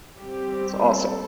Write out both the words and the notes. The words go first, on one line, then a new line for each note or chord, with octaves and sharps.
It's awesome.
G3 C4 G4
A4